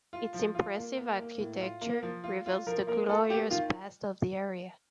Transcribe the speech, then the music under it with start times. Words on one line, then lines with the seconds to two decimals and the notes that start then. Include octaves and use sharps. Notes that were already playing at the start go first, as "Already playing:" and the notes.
Its impressive architecture reveals the glorious past of the area.
0.13 F4
0.34 F3
0.55 F4
0.77 A#3
0.97 A#3
1.19 A#3
1.40 A2
1.61 F4
1.81 A#3
2.03 F3
2.24 F4
2.46 F4
2.66 F3 A#4
2.87 A#3 A#4
3.09 F4 A4
3.29 A#3 G4
3.51 D#3 F4